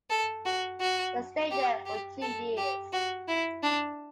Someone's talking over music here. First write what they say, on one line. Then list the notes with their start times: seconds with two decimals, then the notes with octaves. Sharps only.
They stayed there for two years.
0.10 A4
0.45 F#4
0.80 F#4
1.51 G4
1.86 G4
2.22 A4
2.57 G4
2.93 F#4
3.28 E4
3.63 D4